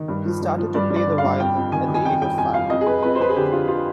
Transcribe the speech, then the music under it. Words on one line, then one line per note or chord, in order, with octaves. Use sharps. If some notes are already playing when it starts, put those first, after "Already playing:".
He started to play the violin at the age of five.
Already playing: D#3
G2
F3
G2
F3
G2 D5
G2
D5
D3
F5
G2
F2 G5
F2
D#3 G#5
D#3
G#5
F2 G5
F2 G5
F2 G#5
F2 F5
F2 D#5
G#4
F2 B4
F2 B4
C5
F2 B4
G#4
D3 G4
D3 F4
F4